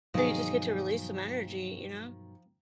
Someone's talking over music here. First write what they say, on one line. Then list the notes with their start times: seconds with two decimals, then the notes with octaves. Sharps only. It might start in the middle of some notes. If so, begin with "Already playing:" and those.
Or you just get to release some energy. You know?
0.14 G2 B2 D#3 F3 F#3 G#4 D#5